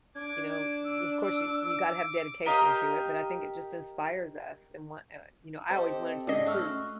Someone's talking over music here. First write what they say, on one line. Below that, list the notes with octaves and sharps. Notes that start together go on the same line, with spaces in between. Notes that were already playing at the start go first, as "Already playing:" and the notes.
you know, y of course you you gotta have dedication to it, but I think it just inspires us and what, uh, you know, I always wanted to improve,
D4 D6 G#6
E6
G4 A#4 D#5 F5
C4 G4 A4 D#5
G#2 C#3 C#4 D5 D#5 C7
A3 F#4 E6 F6